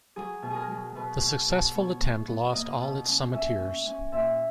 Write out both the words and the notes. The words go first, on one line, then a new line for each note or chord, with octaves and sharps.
The successful attempt lost all its summitteers.
F#3 G#4
B2
G#4
A#4
F#3
B2 B4
B2
B2
B3 C#5
B3
B3
A#3 D#5
B2
C#4
C#4 E5
C#4
C#4
A#2 E5